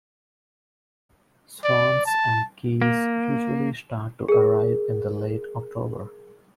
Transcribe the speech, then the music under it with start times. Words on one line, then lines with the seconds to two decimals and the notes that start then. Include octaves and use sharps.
Swans and geese usually start to arrive in late October.
1.64 D5
2.06 A5
2.82 A#3
4.28 G#4 A#4